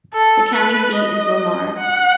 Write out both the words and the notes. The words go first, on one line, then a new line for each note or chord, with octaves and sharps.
The county seat is Lamar.
A4
B4
D#5
F#5